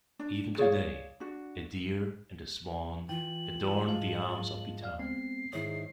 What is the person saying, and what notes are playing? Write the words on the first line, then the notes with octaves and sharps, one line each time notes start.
Even today, a deer and swan adorn the arms of the town.
D4
G#4 C#5 D5 F5
D4 F#4
E3 F4 G5 F#7
G#2 G#3 F5 A5
D5 F5 F6
G#3 B3 C4 C7
G#2 D#3 E4 G#4 C#5